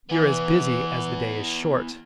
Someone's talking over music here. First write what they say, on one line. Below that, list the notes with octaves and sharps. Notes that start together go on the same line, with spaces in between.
"You're as busy as the day is short!"
E3 B3 E4